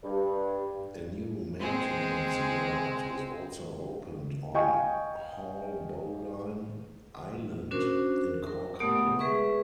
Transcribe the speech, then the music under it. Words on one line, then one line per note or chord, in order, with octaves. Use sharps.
A new maintenance yard was also opened on Haulbowline Island in Cork Harbour.
G2
G#3 C4
D#5 F5 G5 G#5 C#6
C#4 D4 F#4 A#4 C5
A#4
A3 B3 G4 F#5 D#6
G#3 G#4 B4 E5 C#6